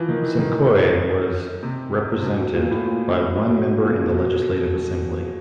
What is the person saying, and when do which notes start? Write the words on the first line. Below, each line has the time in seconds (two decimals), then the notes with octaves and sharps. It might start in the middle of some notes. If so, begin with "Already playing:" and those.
Simcoe was represented by one member in the Legislative Assembly.
Already playing: E3 F3
0.09 D#3
0.23 E3
0.38 D#3
1.63 C3
2.20 C3
2.24 B2
2.39 B2
2.55 A#2
2.71 A2
2.87 A#2
3.48 B2
3.80 A#2
4.10 B2